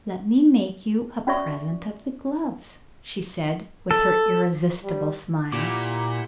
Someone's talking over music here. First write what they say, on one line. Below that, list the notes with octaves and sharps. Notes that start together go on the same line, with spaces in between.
"Let me make you a present of the gloves," she said, with her irresistible smile.
C#4 F#4 D5 E5 C#6
A4
G3
A#2 E4 G4 F#5 D6